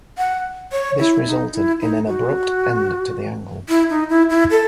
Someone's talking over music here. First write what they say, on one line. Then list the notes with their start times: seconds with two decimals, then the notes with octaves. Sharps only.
This resulted in an abrupt end to the angle.
0.18 F#5
0.72 C#5
0.99 E4
1.26 D#4
1.53 E4
1.81 D#4
2.07 F#4
3.69 E4
3.90 D#4
4.09 E4
4.30 E4
4.51 A4